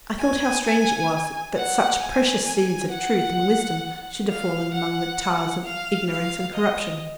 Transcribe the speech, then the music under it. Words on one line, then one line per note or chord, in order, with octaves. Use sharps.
I thought how strange it was that such precious seeds of truth and wisdom should have fallen among the tares of ignorance and corruption.
G#5
F#5
G#5
G#5
F#5
F5
F#5
F5
F5
D#5